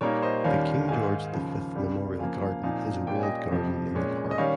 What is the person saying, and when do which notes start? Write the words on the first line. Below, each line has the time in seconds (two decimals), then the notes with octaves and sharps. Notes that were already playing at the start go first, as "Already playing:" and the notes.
The King George the Fifth Memorial Garden is a walled garden in the park.
0.01 A#2 G3 A#3 D#4 A#4 C#5
0.22 C5 D#5
0.44 D#2 D#3 G3 C#4 F4 C#5 F5
0.88 G#2 D#3 G#3 F5 G#5
1.32 D#2 C#3 F3
1.76 C#2 C3 G3
2.19 C#3 F3 A#3 F5 G#5
2.41 F5 G#5
2.63 A#2 F3 C4 D#4 F5 G#5
3.07 A#2 G3 C#4 F4 G5
3.15 G#5
3.23 D#5 G5
3.51 F2 C3 F3
3.95 A#2 G#3 C#4
4.31 D#5
4.38 D#3 G3 C#4 C#5 F5